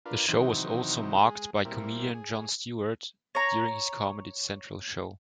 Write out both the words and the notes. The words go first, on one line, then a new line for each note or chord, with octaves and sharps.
The show was also mocked by comedian Jon Stewart during his Comedy Central show.
D4 F4 A#4 B4
C3 D#3 E3 F#3 C4 D#4
G#3 G#4
A#2 G3 C4 E4 A#4
G#4
C#5 A#5